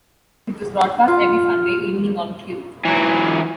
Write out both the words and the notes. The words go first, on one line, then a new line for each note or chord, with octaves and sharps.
It was broadcast every Sunday evening on Q.
F4
E3 F#3